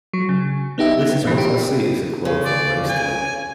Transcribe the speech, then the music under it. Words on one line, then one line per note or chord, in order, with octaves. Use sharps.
This is what I see is a quote from Raistlin.
F#3
C#3
B3 D#4 G4 E5
B3
G1 A#2 E3
G4
C#3
D5
G#5